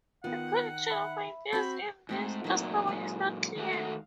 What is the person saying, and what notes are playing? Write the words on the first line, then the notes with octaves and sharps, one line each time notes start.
The connection of ideas in this custom is not clear.
D#3 B3 F4 F#5
E5 B5
C4 F#4 B5 G6
G#2 A3 C4 F#4
A#2 F#3 D#4 E4
G#3 B4
D#3 A3 F#4
F5